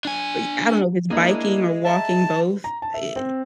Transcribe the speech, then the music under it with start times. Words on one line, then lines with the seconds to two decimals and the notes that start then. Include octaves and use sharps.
I I don't know if it's biking or walking, both, it
0.05 D4 G#5
1.10 A#3 D4 E4 G#4 D#5
1.85 E5 A5 A#5
2.64 A#5
2.82 A5
2.94 E5
3.16 C4